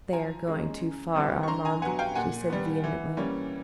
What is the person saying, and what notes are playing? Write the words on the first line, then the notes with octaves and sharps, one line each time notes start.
"They are going too far, Armand," she said vehemently.
F3 G#5 A#5
G#3 C#4
C#3
E3 G3 C4
C#6
D3 A#5 C6
G#5 A#5
F#3 B3 F#5 G#5
F5 G5
A#2 F#5 G#5
G3 B3
E3
G3 A#3 C#4